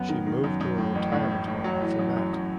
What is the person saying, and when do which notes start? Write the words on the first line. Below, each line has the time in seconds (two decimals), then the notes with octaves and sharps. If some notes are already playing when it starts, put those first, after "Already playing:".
She moved to a retirement home after that.
Already playing: F#2 B3
0.09 D#3
0.27 D#3
0.44 F#2
0.61 F#2
0.78 A2
0.95 A1
1.12 A2
1.30 A2
1.47 A2
1.64 F#3
1.81 E3
1.99 F#2
2.16 F#2
2.33 F#2